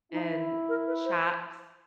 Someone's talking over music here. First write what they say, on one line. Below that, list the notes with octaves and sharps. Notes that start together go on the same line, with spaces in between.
And shops
D#4 E4
A#4
B4
C5